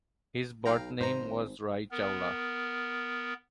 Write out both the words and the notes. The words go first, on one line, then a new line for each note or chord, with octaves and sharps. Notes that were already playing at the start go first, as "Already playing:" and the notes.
His birth name was Rai Chawla.
B1 F5 G5 A#5
G#1 G#2 C5 A#5
B3 A#4